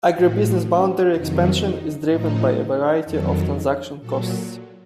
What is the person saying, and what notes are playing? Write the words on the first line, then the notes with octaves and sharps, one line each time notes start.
Agribusiness boundary expansion is driven by a variety of transaction costs.
A2 F3 F#4
C#4
F2 C3 D#3 F#3 D#4
D#4
A2 F3 D#4
F2 D#3 F#3 A4
A#2 F#3 A4